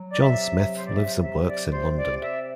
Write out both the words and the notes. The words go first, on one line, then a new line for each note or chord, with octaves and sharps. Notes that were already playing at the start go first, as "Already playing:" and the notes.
John Smith lives and works in London.
Already playing: F#3
D5
C3 E5
F#3
C5
D5
C3 E5
E5
F#3
D5
C3 C5
D5
C3
E5